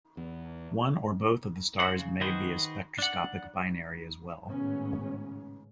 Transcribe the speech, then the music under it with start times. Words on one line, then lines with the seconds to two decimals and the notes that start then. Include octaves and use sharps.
One or both of the stars may be a spectroscopic binary as well.
0.17 E2
1.80 F#4 C5 F#5
1.98 C#3
2.21 D#3 F#4 G#4 B4 C5
2.99 D4 F#5
4.49 G#1 A2 C#3 G#3 B3 C#4